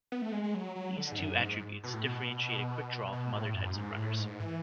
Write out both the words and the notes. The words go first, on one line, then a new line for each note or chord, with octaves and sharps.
These two attributes differentiate a quickdraw from other types of runners.
B3
A3
G#3
G#3
F#3
F#3
D3
G#2
F#2
G#2
B2
A2
B2
B2
A2
F#2
G#2
A2
G#2
E3